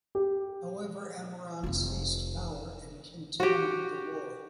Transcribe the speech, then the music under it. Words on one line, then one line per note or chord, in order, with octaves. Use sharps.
However, Ammoron seized power and continued the war.
G4
F1 F4
F#4 G4